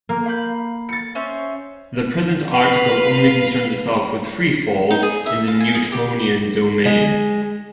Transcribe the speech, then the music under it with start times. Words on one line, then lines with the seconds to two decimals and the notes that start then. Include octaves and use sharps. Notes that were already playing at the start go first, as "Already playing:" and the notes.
The present article only concerns itself with free fall in the Newtonian domain.
0.09 A#3
0.26 F5 B5 G6
0.89 A6 C#7
1.15 C#4 C5 E5
2.51 B4 F5
4.91 D#4
5.03 G#4
5.26 E5
5.48 F5
5.60 G#5
5.75 G#4
5.92 G4
6.86 G#3